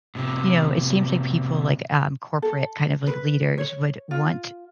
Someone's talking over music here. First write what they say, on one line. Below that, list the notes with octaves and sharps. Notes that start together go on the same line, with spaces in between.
you know, it seems like people, like, um, corporate kind of, like, leaders would want,
A2 C3
A4
B4
C#5
F4